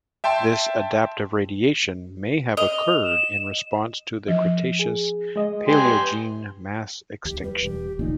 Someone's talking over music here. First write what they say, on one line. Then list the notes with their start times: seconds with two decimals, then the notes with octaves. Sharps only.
This adaptive radiation may have occurred in response to the Cretaceous-Paleogene mass extinction.
0.24 E5 G5 A5 C6
2.57 D#5 F7
3.04 E7
4.28 F3
4.79 G#4
5.36 G#3 D#5
5.68 G4 B4 G#5 C6
7.25 D#2 G4
7.43 G3 B4
7.62 E1 G4
7.99 A1 D2 A#2 D#4